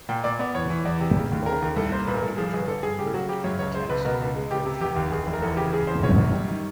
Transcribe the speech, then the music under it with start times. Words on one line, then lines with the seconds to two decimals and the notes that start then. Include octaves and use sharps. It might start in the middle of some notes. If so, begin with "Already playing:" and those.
The mother and her daughter are buried in the Kensal Green graveyard in London.
0.09 A#2 G5
0.24 A#2 D5
0.39 B3 D5
0.54 E2 C#5
0.70 E3
0.85 E2 D5
1.00 C3
1.16 C#3
1.32 D#2
1.46 C#3 A#4
1.62 D#2
1.76 C2 A4
1.92 A#3 C5
2.07 A#2 B4
2.16 A#4
2.22 C2 A4
2.37 F3 G#4
2.53 G1 G#4
2.68 D3 A4
2.83 G2 G#4
2.99 C#3 G4
3.14 F#3 F#4
3.29 C#3 G4
3.44 F#2 C#5
3.59 C#2 C#5
3.74 G#3 C5
3.89 C#2 B4
4.01 B4
4.05 B2 A#4
4.20 C#2
4.36 G#3
4.51 C#2 G4
4.66 C3
4.81 F1 G4
4.96 D#2
5.12 D#2 G#4
5.27 F1
5.33 A#4
5.42 E2 A4
5.57 C#3 G4
5.73 C#3 G#4
5.87 E2 C5
6.03 F#2 C#5
6.18 F#2
6.34 G3
6.48 D#3